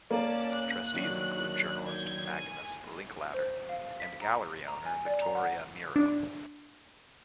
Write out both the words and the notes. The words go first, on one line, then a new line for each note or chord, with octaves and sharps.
Trustees include journalist Magnus Linklater, and gallery owner Victoria Miro.
A#3 C#4 D5 A5
F#6
D#3 F#3 D4
G6 G#6
G#5
C5
F5
B6
A#5
A#5
G#5
D5
A#5
F#5
D4